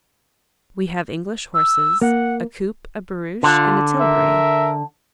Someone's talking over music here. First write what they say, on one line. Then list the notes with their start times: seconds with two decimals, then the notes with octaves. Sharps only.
We have English horses, a coupe, a barouche, and a tilbury.
1.54 E6
2.02 A#3 F#5
3.43 D3 F4
4.00 A#4 E5